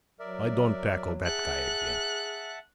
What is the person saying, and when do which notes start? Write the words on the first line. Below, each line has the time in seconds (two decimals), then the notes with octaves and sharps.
"I don't tackle that guy again."
0.19 F#3 A#4 D5 E5
1.25 G#4 E5 F#5 A5 F#6